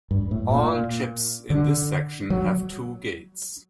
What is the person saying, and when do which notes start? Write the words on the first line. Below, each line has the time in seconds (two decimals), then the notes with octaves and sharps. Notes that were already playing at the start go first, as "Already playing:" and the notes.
All chips in this section have two gates.
0.11 G2
0.31 A2
0.51 A#2
1.50 D3
2.30 F#3